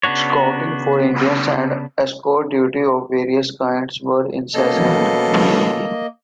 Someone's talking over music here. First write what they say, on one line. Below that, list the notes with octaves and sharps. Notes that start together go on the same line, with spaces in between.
Scouting for Indians and escort duty of various kinds were incessant.
C#3 B3 D4 F#4 C#5
B2 A#3 C#4 A4 D#5